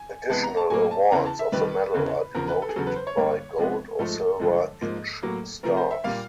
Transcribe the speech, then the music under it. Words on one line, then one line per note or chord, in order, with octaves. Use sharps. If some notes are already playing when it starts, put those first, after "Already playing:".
Additional awards of the medal are denoted by gold or silver inch stars.
Already playing: G#5
C3 E3 G#3 B3 A5
A#5
A5
A2 F#3 A#3 G#5
A5
E2 C#3 E3 A#5
A5
E5
F2 C3 D#3 G3 B4
E2 C#3 E3
E2 C#3 F3 A#4
B4
A4
G#4
E2 C#3 F#3 A4
B4
C5
C#5
G2 D3 G3 A#3
C3 F3 G#3 B3
G#2 F3 A3 A4
G2 D3 F3 G#3
G#2 F3 A#3
A2 F#3 A#3
C3 F3 A3 A#4
C5
E5
A#2 G3 A#3 F5